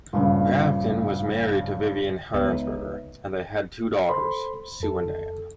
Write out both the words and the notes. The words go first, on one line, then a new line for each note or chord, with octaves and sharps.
Grafton was married to Vivian Harnsberger, and they had two daughters, Sue and Ann.
A#1 G2 C#3
C#2 B3 D#4 C#5 E5
A4 C5 B5 C6
F2 A4